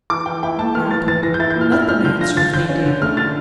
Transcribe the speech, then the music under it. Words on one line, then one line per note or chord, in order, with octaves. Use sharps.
Or, rather, let them answer if they dare.
E3 D6
E3 G5
E4 G5
A#3 A5
E3 F6
A2 A6
E3 A6
E3 A#6
G6
E4 A6
A#2 G6
F6
E4 F6
F3 F6
D3 G6
F4 A#6
F4 A6
D3 G6
C#4
D3
A3 F6
D3 A6